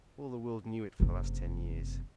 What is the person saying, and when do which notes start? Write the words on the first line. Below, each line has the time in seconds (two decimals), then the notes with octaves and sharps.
All the world knew it for the last ten years.
1.00 F#1 C3